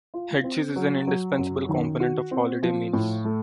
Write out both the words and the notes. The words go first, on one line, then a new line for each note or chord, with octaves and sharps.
Head cheese is an indispensable component of holiday meals.
F4
C4
F#3
F#3
F#2
D#3
F#4
C4
F3
A2
A3